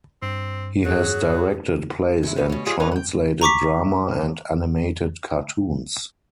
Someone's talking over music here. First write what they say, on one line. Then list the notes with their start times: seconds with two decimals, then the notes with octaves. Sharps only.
He has directed plays and translated drama and animated cartoons.
0.22 G2 C4
0.85 F#3 G#4 F#6
2.23 G#2 E4
2.36 A2 B3 G4
2.49 B2 C#4
2.66 G2 D#3 F#3 F4 G#4 G#5
2.80 C#3 E3 C#4 D#4 A#4 B4
2.92 F#5 G5
3.41 A#5 C#6 D6 B6